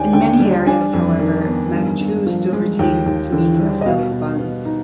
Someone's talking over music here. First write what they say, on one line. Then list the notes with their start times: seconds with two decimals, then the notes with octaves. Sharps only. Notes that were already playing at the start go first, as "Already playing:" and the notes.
In many areas, however, "mantou" still retains its meaning of filled buns.
Already playing: D#2 D4 D5 G5 G#5
0.13 D3 G5
0.40 G3
0.67 D4 G#5
0.93 F2
1.19 D#3
1.46 B3
1.73 G2
2.00 G2
2.27 F3
2.53 G#3
2.79 D#2 G5
3.06 D#2
3.32 D3
3.60 G3
3.81 D#5
3.86 B2 F5
4.12 B2
4.39 B3
4.65 D#4